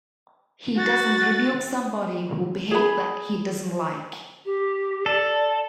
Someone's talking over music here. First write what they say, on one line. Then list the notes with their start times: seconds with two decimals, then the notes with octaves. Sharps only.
He doesn't rebuke somebody who behave that he doesn't like.
0.76 F#4 A6
2.71 G#4 B5
4.45 G4
5.06 A4 D5